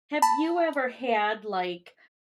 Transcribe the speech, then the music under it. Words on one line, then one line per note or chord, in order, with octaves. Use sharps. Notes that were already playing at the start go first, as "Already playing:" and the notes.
Have you ever had, like
A5 B5